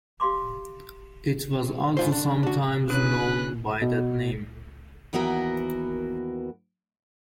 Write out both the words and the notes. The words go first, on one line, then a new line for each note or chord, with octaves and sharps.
It was also sometimes known by that name.
G4 F5 C6 D6
G#2 F4 C5
D4
D4 F#4
C#3 C#4 D4 E4 G#4 B4 C#5 F#6
B2
D#2 E3 B3 F#4 A#4